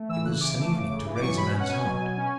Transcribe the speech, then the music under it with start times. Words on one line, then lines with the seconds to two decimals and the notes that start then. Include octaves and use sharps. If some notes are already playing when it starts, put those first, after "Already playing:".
It was an evening to raise a man's heart.
Already playing: A3
0.09 E3 E6
0.25 C#3 F#6
0.41 E3 D6
0.57 A3
0.73 C#3
0.89 C#3
1.05 E3
1.15 D6
1.21 F#3 C#6
1.36 B2 B5
1.53 C#4
1.60 F#5
1.68 B2 G#5
1.85 F#3
2.01 B2
2.17 C#4